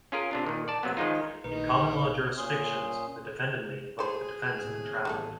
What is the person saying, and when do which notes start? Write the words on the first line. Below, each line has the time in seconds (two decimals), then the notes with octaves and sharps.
In common law jurisdictions, the defendant may invoke the defense of entrapment.
0.12 C#4 F4 G#4 A#4
0.31 C3 D4 F4
0.46 A#2 D#3
0.68 D5 A5
0.83 C3 F#3 A#3 B3
0.97 D#3 F3 G#3 D#4 F4
1.44 A#1 D#3 D#4 B4
2.38 A#2 C#4 C6 D#6
3.99 G#4 A4 C5
4.59 D#2 A2 C3
5.05 A1 E2 G3 A3 A4